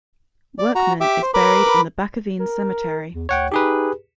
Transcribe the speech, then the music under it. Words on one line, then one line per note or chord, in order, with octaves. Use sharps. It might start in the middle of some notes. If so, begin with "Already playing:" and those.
Werkman is buried in the Bakkeveen cemetery.
D5
F#4 A#5
G4 E5 D6
C5
A#4 B4 B5 D6
A#4
E2
D2 C#5 F#5 G5
D#4 G4 G#4 B4